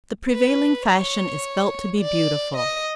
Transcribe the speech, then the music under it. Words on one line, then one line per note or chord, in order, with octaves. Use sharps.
The prevailing fashion is felt to be beautiful.
B4
C#5
D5
D#5